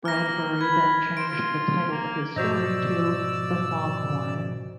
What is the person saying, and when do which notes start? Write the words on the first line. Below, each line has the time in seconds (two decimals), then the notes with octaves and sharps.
Bradbury then changed the title of his story to "The Fog Horn".
0.05 A#3 F6 A#6
0.61 B4 G#6
1.17 C5 D7
1.30 F4
1.91 A#3
2.36 G#2 B2 F3 F#4 C5 D5 D#5 E6